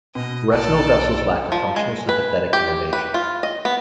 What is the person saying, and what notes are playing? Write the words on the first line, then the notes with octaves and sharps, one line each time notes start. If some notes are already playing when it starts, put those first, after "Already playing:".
Retinal vessels lack a functional sympathetic innervation.
B2 D#5
B1 A4 D5 A5
F3
G#3
B4
G4
B4
F4
D#5
B3